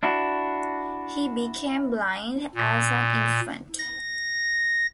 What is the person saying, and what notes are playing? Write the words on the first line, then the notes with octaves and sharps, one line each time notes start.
He became blind as an infant.
D4 E4 F#4
A#2
A#6